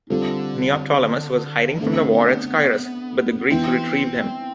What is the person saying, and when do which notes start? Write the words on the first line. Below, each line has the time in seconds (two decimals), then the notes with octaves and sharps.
Neoptolemus was hiding from the war at Scyrus, but the Greeks retrieved him.
0.10 D3 G3 C4 F4 A4
1.80 D3 A3 B3 C4
3.50 E3 B3 C4 E4